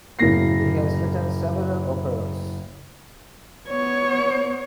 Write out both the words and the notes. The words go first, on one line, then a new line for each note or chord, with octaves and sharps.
He has written several operas.
F#1 A2 A#3 A#6 C7
B3 C#5